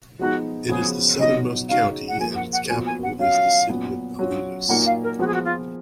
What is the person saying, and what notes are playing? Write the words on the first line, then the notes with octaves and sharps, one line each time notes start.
It is the southernmost county, and its capital is the city of Alytus.
F3 G#3 B3 D#4 F#4
C#3 F3 B3 F#4 G#4
B2 F#3 B3 D#4 D#5
C#3 G#3 D#4 F#4 F5
F#5
F3 A#3 F4 G#5
F#5
F#5
A#2 F3 B3 F#4 G#5
G#5
F#5
F#3 C#4 F#4 F5
A#2 F#3 B3
F#3 C#4 F4
A#2 F#3 A#3 D#4 F#4 F#5
F5
A#4
F3 G#3 B3 F#4
G#4
F#4
F4